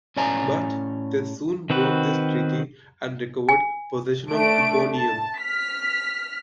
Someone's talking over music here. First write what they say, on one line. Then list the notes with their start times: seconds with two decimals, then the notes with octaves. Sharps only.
But they soon broke this treaty; and recovered possession of Hipponium.
0.17 A2 C#4 D5 G#5 A#5
1.70 D#3 C4 F#4 B4
3.49 G#5
4.29 A3 D4 D7
4.94 A5
5.41 F6 B6